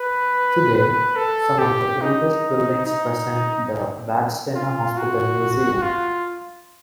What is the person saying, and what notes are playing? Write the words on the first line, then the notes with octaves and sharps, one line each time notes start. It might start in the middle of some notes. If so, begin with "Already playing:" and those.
Today, some of the oldest buildings present the Vadstena Hospital Museum.
Already playing: B4
B4
A4
G4
D#4
D#4
F4
F#4
F4